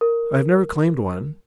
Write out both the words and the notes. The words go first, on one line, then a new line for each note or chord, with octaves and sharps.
I have never claimed one.
A#4